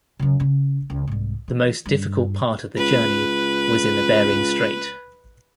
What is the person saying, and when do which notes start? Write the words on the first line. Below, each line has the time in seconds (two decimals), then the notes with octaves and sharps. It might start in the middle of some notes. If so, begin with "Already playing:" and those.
The most difficult part of the journey was in the Bering Strait.
0.19 F#2 C#3
0.40 C#3 C#4
0.90 C#2
1.08 C2 G#2
1.48 E3
1.86 G2
2.78 C#2 B4